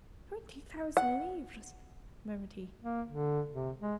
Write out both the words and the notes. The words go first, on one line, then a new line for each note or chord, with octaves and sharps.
"Twenty thousand livres!" murmured he.
F#5
A#3
D3
C3
G#3